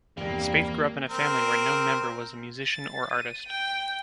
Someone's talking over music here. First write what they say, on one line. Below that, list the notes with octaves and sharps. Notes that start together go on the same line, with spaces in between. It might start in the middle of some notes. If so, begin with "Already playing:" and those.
Spaeth grew up in a family where no member was a musician or artist.
E2 G2 C3 G3 A#3
C4 A#4
A6
D#7
G5